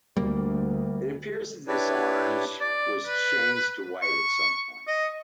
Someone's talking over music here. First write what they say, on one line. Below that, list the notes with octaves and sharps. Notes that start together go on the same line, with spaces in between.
It appears that this orange was changed to white at some point.
D2 G3 A#3
D4 E4 G4 B4 C#5 D5
D5
B4
C#6
D#5